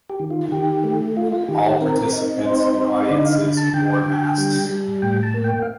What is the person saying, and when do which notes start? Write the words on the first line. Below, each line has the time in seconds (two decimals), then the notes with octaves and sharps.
All participants and audiences wore masks.
0.10 G4
0.19 D#3
0.30 F4
0.52 D#3 G4
0.84 A3
1.17 F4
1.32 F4
1.48 D#3 G4
1.65 G4
1.81 C4 A#4
2.13 D#4
2.45 C4 C5
2.78 D#4
3.09 D3 D5
3.25 F5
3.42 D3
3.57 A5
3.74 D3 G5
4.06 D3
4.38 G3
4.70 G3
5.02 A2 G5
5.23 A5
5.34 A#3
5.44 G5
5.62 F5